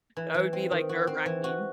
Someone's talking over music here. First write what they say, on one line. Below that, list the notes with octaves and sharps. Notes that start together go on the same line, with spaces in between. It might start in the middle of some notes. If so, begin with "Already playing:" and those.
That would be, like, nerve wracking.
E3
E3
C4
D#3
F#4
C4
E3
F#4